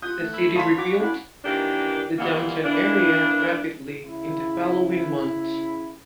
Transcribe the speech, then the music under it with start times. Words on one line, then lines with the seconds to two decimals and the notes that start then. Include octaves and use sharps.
The city rebuilt the downtown area rapidly in the following months.
0.02 F4 F#5 D#6 G6
0.18 A3
0.33 E4
0.56 C#5 F5 A5 B5 C6 D#6 B6
0.78 F#4 D6
1.00 C#4 D4 E4 F#5
1.44 D#3 E3 A#3 D4 G4
2.18 A#2 E3 G3 A#3 B3
2.64 E3 A#3 B3 D4
4.04 C#3 E4